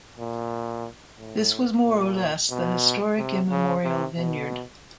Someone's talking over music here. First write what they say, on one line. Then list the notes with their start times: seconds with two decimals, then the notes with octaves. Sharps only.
This was more or less the historic, immemorial vineyard.
0.18 A#2
1.18 A2
1.84 A#2
2.51 B2
3.18 C3
3.51 C#3
3.84 C3
4.17 B2